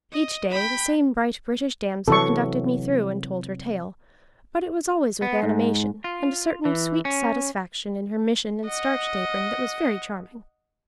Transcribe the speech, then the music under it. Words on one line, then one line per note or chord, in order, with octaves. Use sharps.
Each day the same bright British damsel conducted me through, and told her tale, but it was always with animation, and a certain sweet satisfaction in her mission and starched apron that was very charming.
D#5
G5 B5
C3 E3 F#3 A4 C#6
B3
G#2
F4
E3
C#4
D#5 F#5